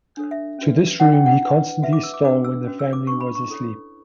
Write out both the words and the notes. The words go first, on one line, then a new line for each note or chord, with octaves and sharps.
To this room he constantly stole when the family was asleep.
D4 A4 C#5
E5
C#4 F#4 B4
D4 G4 C#5 F#5
G5
F#5
E4 B4
F#4 B4 E5
D6
E6
D6
D4 F#4 B4 D6
E6
C#4 F#4 B4
E6
D6
D4 F#4 B4 C#6
B5
C#6
E4 A4 C#5